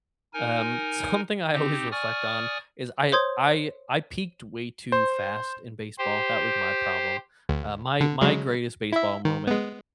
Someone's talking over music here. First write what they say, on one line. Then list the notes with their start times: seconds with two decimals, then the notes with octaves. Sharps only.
Um, something I always reflect on is I I I peaked way too fast in baseball, that was my problem. Uh, my my greatest baseball moment,
0.34 D#4 A#4 G#5
1.53 C4 D#4 G4
1.92 D5 G#5 C#6 D#6 F6
3.12 C5 C#5 C6 D#6 G6 G#6
4.92 C5
5.99 G4 C5
7.49 D2
8.00 D3
8.21 C#3 F#3 G#3
8.92 E4 E5
9.25 D#3
9.47 G#3 B3